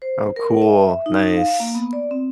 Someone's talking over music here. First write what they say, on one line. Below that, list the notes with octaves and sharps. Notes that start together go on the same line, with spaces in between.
Oh, cool. Nice.
C5
A#4
E5
D#4
F5
A#3
B3
D5
C4